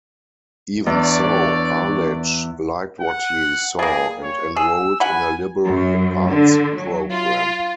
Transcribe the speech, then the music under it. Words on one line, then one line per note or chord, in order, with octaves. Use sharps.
Even so, Arledge liked what he saw and enrolled in a liberal-arts program.
E2 D4 C#5 D5
F#5
G3 A#3 G#4
C#5
G#4 E6
F#5 G#5 B5
F#2
D3
F#3
F4